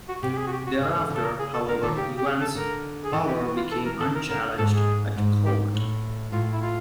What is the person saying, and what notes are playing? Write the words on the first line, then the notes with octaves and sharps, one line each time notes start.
Thereafter, however, Yuan's power became unchallenged at court.
F#4
C3 G4
G4
G#4
F#4
G4
F#4
C#3 G#4
D3
C#3
A4
A#4
G#4
A4
D3 A#4
D#3 A4
C#3 G4
G4
G#4
A4
D3 A#4
G#4
E3 A4
G4
F#4
F4
A4
A#4
D#3 A4
A#4
D3 A#4
G#2 A4
G#4
G#2
G4
A2
A2 F4
E4
F4